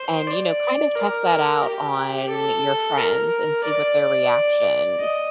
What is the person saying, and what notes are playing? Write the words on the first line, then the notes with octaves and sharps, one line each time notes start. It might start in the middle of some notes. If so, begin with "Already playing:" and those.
and, you know, kind of test that out on your friends and see what their reaction
Already playing: C5
D5
A#4
G4
A4
A#4
D5
D#5